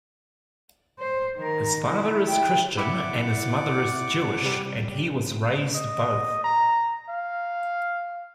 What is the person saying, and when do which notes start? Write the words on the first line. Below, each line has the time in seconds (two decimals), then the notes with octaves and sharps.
His father is Christian and his mother is Jewish, and he was "raised both".
0.99 C5
1.37 D#3 A#4
1.89 E4
2.27 G5
2.77 E4 D5 F#5 D6
4.43 C3 G3
5.75 D#5
6.44 A#5
7.09 F5